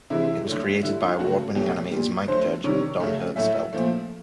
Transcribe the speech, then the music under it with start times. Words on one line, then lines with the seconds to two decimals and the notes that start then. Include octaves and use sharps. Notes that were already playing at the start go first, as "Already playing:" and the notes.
It was created by award-winning animators Mike Judge and Don Hertzfeldt.
0.10 C3 E3 G#3 E4
0.47 D3 F#3 A3
0.83 D3 G3 E4
1.01 F4
1.19 C#3 F#3 A3 F#4
1.55 B2 F#3 A3 G4
1.91 A#2 G3
2.28 D3 F#3 A3 C5
2.64 C3 D#3 G3 C#5
3.00 C#3 F#3 A3
3.36 A2 F#3 A3 E5
3.73 A#2 F3 A3